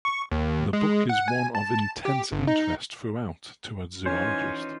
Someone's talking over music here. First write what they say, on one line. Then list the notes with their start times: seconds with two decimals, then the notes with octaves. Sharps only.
The book is one of intense interest throughout to a zoologist.
0.05 C#6
0.31 D#2
0.73 G#3
1.09 F#5
1.28 G#5
1.55 A5
2.05 G4
2.32 G1
2.48 D#4
4.06 E3 C#4 D#4 F4 C5 G#5